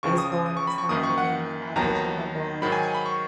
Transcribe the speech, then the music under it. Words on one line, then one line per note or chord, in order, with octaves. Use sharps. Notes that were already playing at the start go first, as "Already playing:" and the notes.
baseball outside with him, like, I'll pitch him the ball
C#2 C#3 F3 C#6
D#6
D#6
D#6
C#6
B5
C#6
F#2 D#3 A#3 D#6
C#6
F#5
D#2 D#3 F#3 B3 A#5
G#2 D#3 F#3 B5
G#5
G#5
B5
C#6